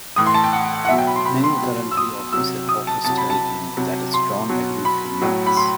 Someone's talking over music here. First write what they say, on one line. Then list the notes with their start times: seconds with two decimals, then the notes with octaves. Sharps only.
Maine currently offers a poker-style game that is drawn every few minutes.
0.16 A2 E3 D#6
0.27 C6
0.34 A5
0.44 G5
0.53 F#5
0.85 F#5
0.89 B2 F#3 E5
0.98 G5
1.07 B5
1.16 C6
1.25 B5
1.44 C6
1.61 B2 F#3
1.91 E6
1.97 D#6
2.33 C3 F#3 E6
2.69 D#6
2.87 A5
3.05 C3 F#3 A5
3.18 B5
3.30 A5
3.77 C3 F#3
4.14 C6
4.49 B2 F#3
4.85 B5
5.22 A2 F#3
5.47 B5
5.57 C6